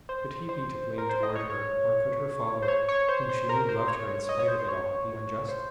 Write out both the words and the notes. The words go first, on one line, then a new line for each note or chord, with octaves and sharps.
Could he be to blame toward her, or could her father, whom she knew loved her in spite of it all, be unjust?
C5
C5
A#4
C5
D#5
C#5
C#5
C5
C#5
C#5
C5
C5
A#4
C5
C#5
C#5
D#5
C#5
C5
C5
C#5
C5